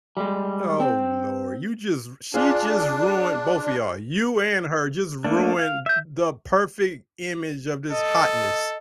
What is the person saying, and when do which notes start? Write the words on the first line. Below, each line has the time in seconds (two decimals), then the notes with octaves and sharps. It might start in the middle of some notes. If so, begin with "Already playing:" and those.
Oh Lord, you just she just ruined both of y'all you and her just ruined the perfect image of this hotness.
0.17 G3 G#3
0.80 C4
2.34 D4 F4 G#4
5.25 A3 A#3 D4
5.59 F5
5.86 E5 G6
7.92 A4 D#5